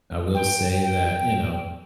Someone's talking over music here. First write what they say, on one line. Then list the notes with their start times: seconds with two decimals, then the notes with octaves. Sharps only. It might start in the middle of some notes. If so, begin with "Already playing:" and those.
I will say that, you know
0.34 G5
0.82 G5